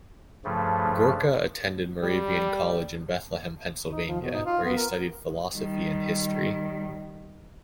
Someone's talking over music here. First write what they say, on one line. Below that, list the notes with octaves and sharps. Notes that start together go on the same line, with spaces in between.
Gorka attended Moravian College in Bethlehem, Pennsylvania, where he studied philosophy and history.
G2 C#3 F3 A3
G3
D#4
F3
B2
D#4
F4
B3
A#4
D#3 G3